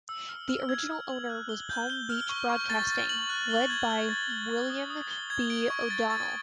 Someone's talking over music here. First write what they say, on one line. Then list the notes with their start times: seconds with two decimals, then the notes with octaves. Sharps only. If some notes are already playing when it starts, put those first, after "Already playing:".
The original owner was Palm Beach Broadcasting, led by William B. O'Donnell.
0.09 E6
0.29 F6
0.49 F6
0.69 G#6
0.89 G#6
1.09 F#7
1.29 F#6
1.49 G7
1.70 G6
1.90 G7
2.09 F6
2.29 C#6
2.49 C#6
2.70 A6
2.90 A6
3.09 F#7
3.30 F#6
3.50 G7
3.70 G#6
3.90 G7
4.10 A6
4.30 G7
4.50 A6
4.70 D#6
4.90 D#6
5.10 G7
5.30 G#6
5.50 D7
5.70 C#6
5.90 A6
6.10 A6